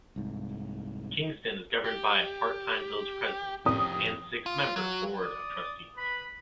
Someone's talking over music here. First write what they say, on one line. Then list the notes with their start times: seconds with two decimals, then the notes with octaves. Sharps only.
Kingston is governed by a part-time Village President and six-member Board of Trustees.
0.16 C2 G#2
1.85 G4
3.66 F2 G4 D#6
4.46 F4
4.76 F#3
5.22 D5 D#6
5.98 B4 B5